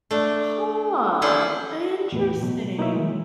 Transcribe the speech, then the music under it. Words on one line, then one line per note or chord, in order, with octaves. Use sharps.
Huh, interesting.
A3 D4
C#4 D4 E4 A4 B4 C5
E2 A2 B4
B2 F#3
A#3 D#4 E4 B4 C#5 E5
D#3 E3 G#3